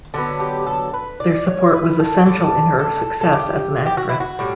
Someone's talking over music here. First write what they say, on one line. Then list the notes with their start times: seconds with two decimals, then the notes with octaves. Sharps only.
Their support was essential in her success as an actress.
0.14 D3 F#3 B3 A4
0.40 G4
0.67 A4
0.94 B4
1.20 D5
1.47 C#5
1.73 B4
2.00 A4
2.26 A2 G3 D4 A4
2.79 A4
3.21 A4
3.33 G4
3.86 G4
3.97 F#4
4.09 E4
4.20 F#4
4.39 A2 G3